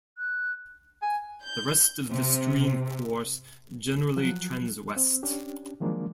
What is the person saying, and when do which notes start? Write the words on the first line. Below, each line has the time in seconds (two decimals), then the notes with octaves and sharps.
The rest of the stream course generally trends west.
0.18 F#6
1.02 G#5
1.44 G6
2.10 C3
4.17 F3 F#3 F#6
4.96 C4
5.23 C#4 D4 G4
5.80 D#3 F3 F#3 G#3 A#3 D4